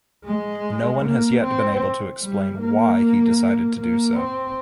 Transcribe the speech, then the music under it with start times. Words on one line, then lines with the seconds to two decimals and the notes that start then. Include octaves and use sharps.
No one has yet been able to explain why he decided to do so.
0.24 G#3
1.03 A#3
1.43 C4
2.21 G3
2.60 A#3
3.78 A#3
4.17 C4